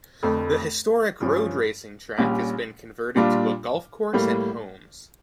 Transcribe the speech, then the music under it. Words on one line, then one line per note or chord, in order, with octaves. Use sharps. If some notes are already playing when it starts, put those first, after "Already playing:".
The historic road racing track has been converted to a golf course and homes.
F1 F2 D3 A3
G2 F3 C#4
A#1 A#2 G3 C#4
A#2 G3 D4 F4
A2 G3 A#3